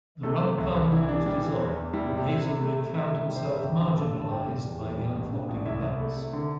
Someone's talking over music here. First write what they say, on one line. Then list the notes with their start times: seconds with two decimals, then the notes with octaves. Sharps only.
The Rump Parliament was dissolved and Haselrig found himself marginalised by the unfolding events.
0.23 C3 A3 A4
0.41 A3
0.58 C2
0.75 C2
0.92 E3 E4
1.08 E3 D4
1.26 G3 D4
1.42 E3
1.59 E2
1.76 E2
1.93 G3 E4
2.10 C3
2.17 G4
2.27 C3 E4
2.44 C3
2.61 A3
2.78 A3
2.94 C3 E4 E5
3.12 C3
3.28 G3
3.36 C5
3.45 C3 D5
3.54 E5
3.62 G1 G4 G5
3.80 G1
3.96 G2 A4 A5
4.14 G1
4.22 A5
4.30 G3 G4 G5
4.47 G3
4.64 E2
4.81 E3
4.98 G3
5.15 A1
5.32 G2
5.49 A1
5.56 D5
5.66 C2 E4 E5
5.82 C2
6.00 A3
6.16 C3
6.33 D3